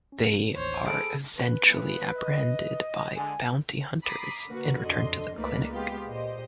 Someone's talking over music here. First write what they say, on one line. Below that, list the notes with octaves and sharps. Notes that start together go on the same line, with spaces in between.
They are eventually apprehended by bounty hunters and returned to the Clinic.
C#4
A1 D#2 C5 C#5
G#4 A4 B5 D7
B4
A#2 E3 B3
D#5
D3 G#3 G#5
A#5 B5 D6 D#6 B6 C7
D3 A#3 F#4 B4
F2 D3 D#5 C6
C#2 A3 A#3 D#4 B4 D5
G#3 B3 F4 G4
A#2 G4 C5 D#5